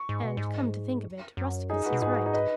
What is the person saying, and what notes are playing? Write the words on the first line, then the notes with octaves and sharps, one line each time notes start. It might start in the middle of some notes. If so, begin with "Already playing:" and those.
And come to think of it Rusticus is right.
Already playing: C#6
G#2
B2
G#2
F#2
D#4 G#4
F#4 B4
B2
G#2 D#4 G#4
F#4
D#4 G#4
B4 D#5